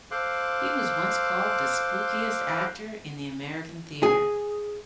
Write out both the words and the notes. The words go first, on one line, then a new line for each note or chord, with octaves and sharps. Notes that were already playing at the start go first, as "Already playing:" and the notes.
He was once called "the spookiest actor in the American theatre".
A4 C5 F5 C6 D6 F#6
G#4